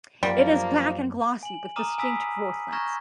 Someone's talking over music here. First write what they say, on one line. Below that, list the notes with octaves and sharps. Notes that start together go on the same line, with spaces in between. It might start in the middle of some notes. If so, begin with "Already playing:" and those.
It is black and glossy with distinct growth lines.
F#2 F3 G3 A#3
G#5 F#7
A#5 D6 D#6 F6 D#7
G#5 A#5 B5 D#6 E6 B6
A#5 C#6 F6 G6 G#6 A#6